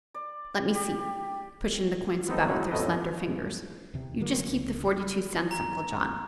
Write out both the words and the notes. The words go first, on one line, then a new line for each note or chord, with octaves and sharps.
Let me see," pushing the coins about with her slender fingers, "you just keep the forty-two cents, Uncle John.
D5
G4
B3 C4 D#4 A4
F#3 G#3 C#4 D#4 E4 F#4
A1 F2 A2 A3 B3 D#5
E2 C3
D3 F#3 A#3
C#2
G3 G#3
A#5